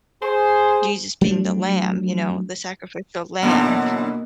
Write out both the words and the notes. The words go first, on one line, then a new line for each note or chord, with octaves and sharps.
Jesus being the lamb, you know, the sacrificial lamb,
G#4 C5
F#3 A3 D4
F#2 B2 D3 E3 A#3 D#4